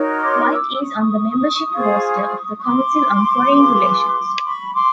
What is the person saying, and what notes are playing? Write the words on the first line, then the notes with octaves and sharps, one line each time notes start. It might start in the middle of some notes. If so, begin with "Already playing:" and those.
White is on the membership roster of the Council on Foreign Relations.
Already playing: D#4 F#4 A#4 C#5
C#6
C6 D6
D6 E6
E6
C#6 D#6
F4 G#4 C5
C#6
C6 D6
F4 G#4 B4
B5 C#6
C6 D6